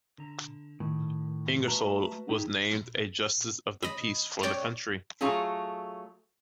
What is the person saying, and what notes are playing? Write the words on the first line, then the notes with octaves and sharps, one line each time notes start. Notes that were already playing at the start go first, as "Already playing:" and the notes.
Ingersoll was named a justice of the peace for the county.
D3 A#5
A2 D#3
A3 F#4 B4 A5 A#5
D#4 E4 G4 G#4
D#5 B5
C#5 D5 G5
F#3 A3 F4 G#4 A4